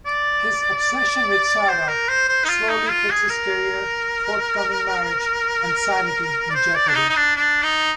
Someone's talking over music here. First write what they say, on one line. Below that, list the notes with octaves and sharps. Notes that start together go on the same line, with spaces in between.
His obsession with Sarah slowly puts his career, forthcoming marriage, and sanity in jeopardy.
D5
C5
A#4
C5
C5
D#4
F4
D#4
F4
G#4
A#4
D5
C5
D5
D4
D#4
D#4
D4
D4
D#4